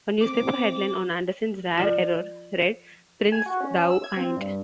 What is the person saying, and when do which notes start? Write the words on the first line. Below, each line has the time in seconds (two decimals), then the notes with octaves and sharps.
A newspaper headline on Anderson's rare error read "Prince Thou Ain't".
0.21 C4 D6
1.78 F3 F4
3.32 G#5
3.46 F#4
3.60 C#4
3.90 E6
4.04 G#6
4.17 C4
4.36 G2